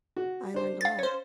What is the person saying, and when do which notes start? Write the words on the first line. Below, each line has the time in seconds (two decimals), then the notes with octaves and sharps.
I learned a lot.
0.17 F#4
0.54 D4 C5
0.81 F5 A6
0.99 C#4 C5